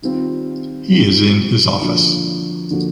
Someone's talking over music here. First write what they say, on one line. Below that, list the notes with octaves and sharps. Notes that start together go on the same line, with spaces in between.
He is in his office.
D#3 G3 C4 F4
D#3 G3 C4 F4
D3 F3 A#3 D4 F#4
D3 F3 A#3 D4 F#4